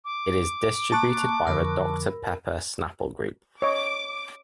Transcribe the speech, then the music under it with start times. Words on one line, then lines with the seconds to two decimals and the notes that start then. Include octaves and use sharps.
It is distributed by the Doctor Pepper Snapple Group.
0.05 D6
0.92 A#3 A5 C#6 F#6
1.47 F2 D3 F3 A#4 B5 E6
3.62 C#5 D#5 D6